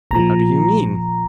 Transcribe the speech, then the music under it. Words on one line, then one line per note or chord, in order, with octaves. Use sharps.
How do you mean?
A#1 A#2 F3 A#5